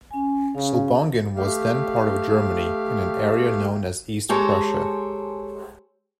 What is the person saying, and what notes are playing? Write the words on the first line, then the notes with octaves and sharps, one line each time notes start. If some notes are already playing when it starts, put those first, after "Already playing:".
Selbongen was then part of Germany, in an area known as East Prussia.
C#4 G#5
C#3 F5
A3 G4 F5
G#3 G4 A4 C5 C#5 A#5